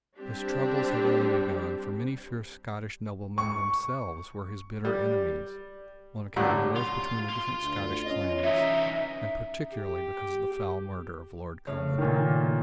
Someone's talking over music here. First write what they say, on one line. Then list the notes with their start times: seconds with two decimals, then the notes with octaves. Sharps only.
His troubles had only begun, for many fierce Scottish noblemen themselves were his bitter enemies on account of wars between the different Scottish clans, and particularly because of the foul murder of Lord Comyn.
0.18 G3 C4 D4 G4
3.38 C#6
4.85 G3
6.36 F#2 A2 D3 F#3 G3 D4
6.76 F4
7.29 F4 C6
7.61 D2
8.04 C#4 D#5
8.43 E3 D#4 E5
9.74 G4
11.67 A2 C#3
11.98 A#2 D#3